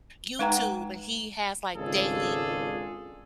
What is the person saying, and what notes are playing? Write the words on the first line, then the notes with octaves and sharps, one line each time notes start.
YouTube and he has, like, m
G#3 D#4 B4 F#5 G5 A#5
G#1 C#2 D4 F4 G#4 A4